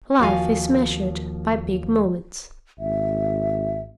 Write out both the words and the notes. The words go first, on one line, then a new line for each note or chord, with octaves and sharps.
Life is measured by big moments.
D#2 F3 F#4 F5 G#5
G#1 E5